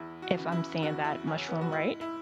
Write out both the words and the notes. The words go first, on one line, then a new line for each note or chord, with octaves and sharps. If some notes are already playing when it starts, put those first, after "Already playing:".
if I'm saying that mushroom right,
Already playing: E2 E4
F#4
C#3 E3
E4
E2 F#4
E4
C#3 E3 C#4
B3
F#4
G#2 E4
E4